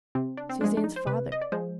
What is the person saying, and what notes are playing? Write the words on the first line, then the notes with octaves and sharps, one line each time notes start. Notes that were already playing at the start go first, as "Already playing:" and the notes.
Suzanne's father!
C3 C4
D4
C4
F3 G#3 D4
D4
D#4
C5
C3 B4
D#5
D5
F3 G#3 C5